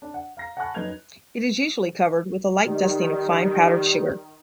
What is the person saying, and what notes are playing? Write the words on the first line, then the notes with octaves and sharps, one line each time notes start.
It is usually covered with a light dusting of fine powdered sugar.
D4
F#5
F5 A#5 A#6
F#5 G#5 A5 B5 C#6 F#6
F#2 D#4 B4 G6 G#6 F7
D#3 G3